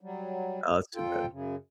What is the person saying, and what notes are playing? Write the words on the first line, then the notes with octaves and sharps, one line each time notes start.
Oh, that's too bad.
F#3 G3
F2 F4 A4 G5
F#2 C#3